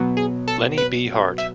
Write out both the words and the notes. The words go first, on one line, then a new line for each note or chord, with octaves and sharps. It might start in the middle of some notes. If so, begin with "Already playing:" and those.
Lenny B. Hart.
Already playing: B2 F#3 B3
G#4
A4
B4
E5